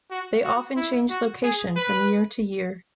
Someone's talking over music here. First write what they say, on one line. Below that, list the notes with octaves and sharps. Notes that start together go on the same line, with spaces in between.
They often change location from year to year.
F#4
F#4
E4
F#4
G#4
B4